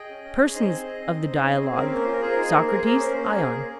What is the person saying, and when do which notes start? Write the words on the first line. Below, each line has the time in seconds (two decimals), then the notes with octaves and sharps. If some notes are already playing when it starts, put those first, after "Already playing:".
PERSONS OF THE DIALOGUE: Socrates, Ion.
Already playing: G#4 D#5 G5
0.10 C#4
0.25 C#4
0.40 G#4
0.55 D#4 C5 D#5
0.70 C4
0.85 G#4
1.00 C4
1.16 D#4
1.31 C4
1.46 G#4
1.61 C4
1.76 C#4 A#4
1.85 C5
1.91 A#3 A#4
2.03 F4 C5
2.12 A#4
2.21 G#4 C5
2.31 A#4
2.37 D#4 C5
2.49 A#3 A#4
2.58 C5
2.67 G#4 A#4
2.77 C5
2.82 A#3 A#4
2.95 C#4 C5
3.04 A#4
3.12 A#3 C5
3.22 A#4
3.27 G#4 C5
3.40 A#3 A#4
3.57 C#4